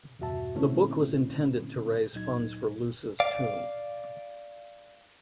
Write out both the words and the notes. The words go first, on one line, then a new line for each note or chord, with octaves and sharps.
The book was intended to raise funds for Loos's tomb.
E2 G2 B2 F#4 E5 A5
A#2 D3 A3 C4 C#4 E4
D2 A#2 F#3 D#4 G#6
D5 F5